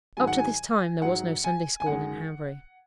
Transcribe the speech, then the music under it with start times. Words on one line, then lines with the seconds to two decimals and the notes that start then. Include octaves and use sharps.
Up to this time there was no Sunday-school in Hanbury.
0.17 G#2 D#3 F#3 G#5
0.27 F#5
0.38 G#5
1.02 G#2 F#3 F#5
1.44 G#5
1.80 G#5
1.86 F#2 D#3 G#3 F#5